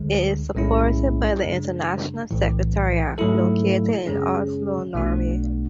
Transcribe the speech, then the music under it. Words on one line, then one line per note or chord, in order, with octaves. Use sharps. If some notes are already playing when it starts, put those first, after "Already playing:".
It is supported by the international secretariat, located in Oslo, Norway.
Already playing: D2 D3 G#3
B1 A2 G#3 C#4 E4
F#2 C#3 G#3 D4
B1 A2 E3
G#2 F#3 A3 E4 A4
F#2 C#3 G#3 C#4 G#4
B1 B2 A3 D4 F#4